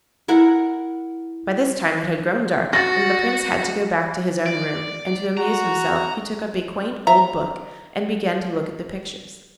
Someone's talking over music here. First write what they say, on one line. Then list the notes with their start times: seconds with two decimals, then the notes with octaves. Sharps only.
By this time it had grown dark, and the Prince had to go back to his own room, and to amuse himself he took up a quaint old book and began to look at the pictures.
0.28 E4 A#4 F#5
2.73 F#4 A6 A#6
4.46 D5
5.37 F#4 A#5
7.07 E5 A#5